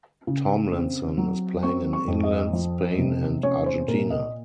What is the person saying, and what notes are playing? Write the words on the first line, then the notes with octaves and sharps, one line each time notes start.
Tomlinson is playing in England, Spain and Argentina.
C#3
C4
F#3
C4 C#6
C#6
F2
D#5
F3
C3
C#4 C#5
C5
A#2 A#4
D#5